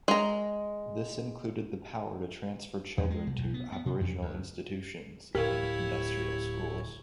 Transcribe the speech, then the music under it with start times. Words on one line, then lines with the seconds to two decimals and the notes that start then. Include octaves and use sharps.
This included the power to transfer children to "aboriginal institutions" and "industrial schools".
0.08 G#3 A#5
2.98 E2
3.10 G#3
3.27 C2
3.38 B1
3.54 B3
3.72 B3
3.86 C3
4.01 F2
4.22 D2
5.35 D1 E4 G4 A#4 C#5 F5